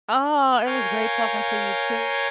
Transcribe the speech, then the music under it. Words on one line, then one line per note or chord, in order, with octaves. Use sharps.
Aw, it was great talking to you too.
A#4 C#5 F5 G5 G#5